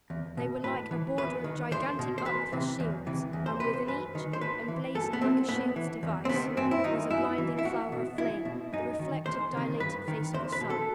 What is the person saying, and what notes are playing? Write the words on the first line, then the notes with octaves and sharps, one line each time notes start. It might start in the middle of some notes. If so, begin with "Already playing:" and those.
They were like a border of gigantic, upthrust shields; and within each, emblazoned like a shield's device, was a blinding flower of flame--the reflected, dilated face of the sun.
E2
B2
A2 B4
E3
E2 B4
D#3
E2 C5
B2
C5
E2 B4
C3 E3
E2
C3 E3
E2
C5
C3 E3 B4
C5
F#2 B4
D#3
C5
A2 B4
E3
F#2 A4
B3
E3 C4
A2 B3
E3
E2
C4
C3 D#3 B3
F#2 C4
E4
D#3 D#4
F#2 E4
E3
E4
E2 F#4
B2
E2 E4
B2
F#2 D#4
D#3
E2 C5
C3 D#3
G2 B4
D#3
E2 C5
B4
B2
A4